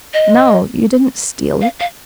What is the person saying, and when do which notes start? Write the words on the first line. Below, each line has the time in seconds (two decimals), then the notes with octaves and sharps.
No, you didn't steal it.
0.13 D#5
1.61 F5
1.80 F5